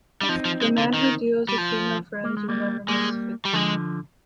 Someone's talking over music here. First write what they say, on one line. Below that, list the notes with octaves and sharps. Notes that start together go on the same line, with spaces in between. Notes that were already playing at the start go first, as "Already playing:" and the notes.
The man who deals with female friends, will never miss fatigue.
G3 D4
F3 C4 D#4
F3
G#3
D3
D#3
G3
F3
A#3
G#3
G3 A#3
G3 G#3 A#3
G3
D3 F3 G#3